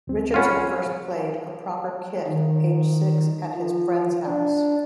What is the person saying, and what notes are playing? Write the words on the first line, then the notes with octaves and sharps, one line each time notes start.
Richardson first played a proper kit aged six at his friends house.
D2 C4
C#4 F4 F#5 G#5 B5
G#4
D#3
F3
D4